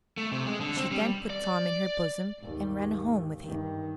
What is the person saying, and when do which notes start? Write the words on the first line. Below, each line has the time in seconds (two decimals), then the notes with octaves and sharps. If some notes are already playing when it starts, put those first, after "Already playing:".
She then put Tom in her bosom and ran home with him.
0.17 A3
0.32 C3
0.46 G#3
0.61 D3
0.77 C4
0.91 G3
1.29 D5
2.40 D#2 G#2
3.42 G2 D#3